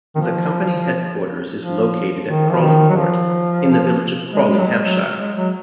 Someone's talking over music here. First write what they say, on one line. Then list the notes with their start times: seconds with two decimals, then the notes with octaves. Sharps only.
The company headquarters is located at Crawley Court in the village of Crawley, Hampshire.
0.15 D#3
0.21 F3
1.58 F3
2.26 D#3
2.51 F3
2.61 D#3
2.89 F#3
2.96 F3
4.33 G#3
4.50 G#3
4.59 F#3
4.67 G#3
4.85 F#3
5.19 G#3
5.37 F#3